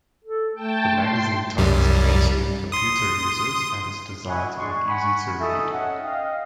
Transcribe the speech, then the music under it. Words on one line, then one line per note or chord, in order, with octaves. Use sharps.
The magazine targets mainstream computer users and is designed to be easy to read.
A4
A3 G5 A5
C6
C2 F#2 G3
C6 D#6
D#5 E5 F#5 G#5 B5 C#6
G#3 D4 C6 C#6
F#5 G#5 B5 C#6
D#4 F#4 A4 E5 G#5 D#6
C#4 D#5 E5 F#5
D#5 F5 G5